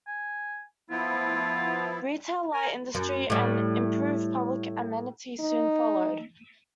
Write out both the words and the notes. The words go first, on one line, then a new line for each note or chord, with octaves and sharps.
Retail, light industry and improved public amenity soon followed.
G#5
F3 B3 E4 F4
A#4 G#5
F#2
A2 G3
D#4